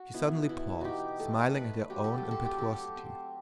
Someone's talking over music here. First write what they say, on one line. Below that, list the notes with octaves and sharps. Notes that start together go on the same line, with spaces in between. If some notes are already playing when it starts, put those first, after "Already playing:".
She suddenly paused, smiling at her own impetuosity.
Already playing: F#4
B2 E4
E3 E4
D#4 F#4 G4
A3 A4
A3 B4
F#3 G4
A4
G4
C4
A4
G4
F#3 A4
G4
C4